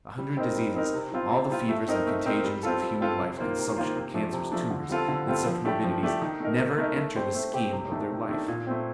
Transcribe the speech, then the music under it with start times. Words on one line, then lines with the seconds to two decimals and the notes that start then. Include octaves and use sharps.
A hundred diseases, all the fevers and contagions of human life, consumption, cancers, tumours and such morbidities, never enter the scheme of their life.
0.18 G3
0.37 C4 D#4 A#4
0.56 G3
0.74 C4 D#4 A#4
0.94 C3
1.12 G3 C4 F4
1.31 C3
1.50 G3 C4 F4
1.69 A3
1.88 C4 D#4 A#4
2.07 A3
2.25 C4 D#4 A#4
2.44 G3
2.63 C4 F4 A4
2.82 G3
3.01 C4 F4 A4
3.20 C3
3.38 D#3 A#3 F4 C5
3.58 C3
3.77 D#3 A#3 F4 C5
3.95 C3
4.14 F3 A3 D4
4.33 C3
4.52 F3 A3 D4
4.71 D3
4.89 G3 C4 F4 A4
5.08 D3
5.27 G3 C4 F4 A4
5.46 F3
5.65 A3 D4 G4
5.84 F3
6.03 A3 D4 G4
6.22 D#3
6.40 A3 D#4 A#4
6.59 D#3
6.78 A3 D#4 A#4
6.97 A3
7.16 C4 G4 C5
7.35 A3
7.53 C4 G4 C5
7.72 C3
7.91 D#3 A3 D4
8.10 C3
8.29 D#3 A3 D4
8.48 A#2
8.67 A3 C4